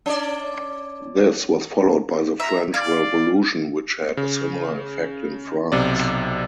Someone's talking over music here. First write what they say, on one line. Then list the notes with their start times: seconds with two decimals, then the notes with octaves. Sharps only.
This was followed by the French Revolution which had a similar effect in France.
0.06 C#4 D5
2.40 E5 A#5
2.74 D5 F5
4.17 C#3
5.72 B1 C3 D5